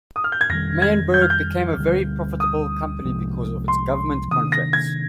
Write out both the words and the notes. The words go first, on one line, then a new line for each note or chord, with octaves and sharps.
Meyenberg became a very profitable company because of its government contracts.
D#6
F6
G6
G#6
F2 D#3 G3 A#6
G#6
G6
F6
G6
D2 D3 G3
D#6
C2 C3 F3 G#3
C6
C3 D#3 A#3 D4 D#6
A#6
G#6